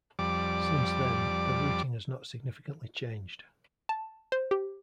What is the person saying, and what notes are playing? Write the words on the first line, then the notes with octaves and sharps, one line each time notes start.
Since then, the routing has not significantly changed.
F2 G3 D5 D6
A5
C5
G4